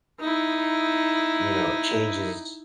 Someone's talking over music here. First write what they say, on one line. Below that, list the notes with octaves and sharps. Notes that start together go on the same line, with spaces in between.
you know, changes
D#4 E4